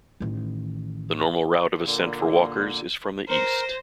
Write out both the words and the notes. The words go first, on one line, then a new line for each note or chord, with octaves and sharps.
The normal route of ascent for walkers is from the east.
A1 D#3
A#2 D3 A#3
A#4 C5 A#6